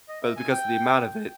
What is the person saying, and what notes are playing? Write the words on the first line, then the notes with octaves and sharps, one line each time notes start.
But because of the amount of it,
D#5
E5
G#5
G5